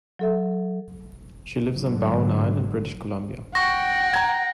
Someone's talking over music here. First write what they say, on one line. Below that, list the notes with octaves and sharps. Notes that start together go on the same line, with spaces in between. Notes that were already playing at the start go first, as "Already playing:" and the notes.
She lives on Bowen Island, British Columbia.
F#3 A4 E5
G#2 D3 F#3
F#5 G5 C#6 A#6
A#5 G#6